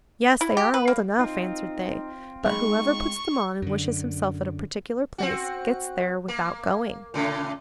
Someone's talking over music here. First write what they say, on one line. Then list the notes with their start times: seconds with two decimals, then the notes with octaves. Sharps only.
'Yes, they are old enough,' answered they; 'but whoever puts them on and wishes himself at a particular place, gets there without going.'
0.41 E4
0.57 G4
0.74 B4
0.88 A#3
1.19 C4 D#4 F4
2.46 G#3 D#4 D#5 B5 C#6
3.62 F#2 D3
5.18 C4 F#4
6.28 A#3
7.14 A#2 C#3 A3